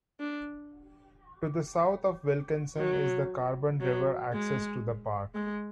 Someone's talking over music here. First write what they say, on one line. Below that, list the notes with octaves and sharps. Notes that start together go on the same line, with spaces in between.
To the south of Wilkeson is the Carbon River access to the Park.
D4
F#3
F#3
G#3
G#3